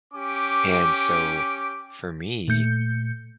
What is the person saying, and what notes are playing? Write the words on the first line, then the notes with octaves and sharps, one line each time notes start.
and so, for me,
C#4 G4 D6
A#2 A3 G6 C#7